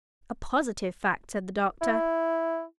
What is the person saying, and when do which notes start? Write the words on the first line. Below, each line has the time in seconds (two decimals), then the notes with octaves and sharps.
"A positive fact," said the Doctor.
1.81 E4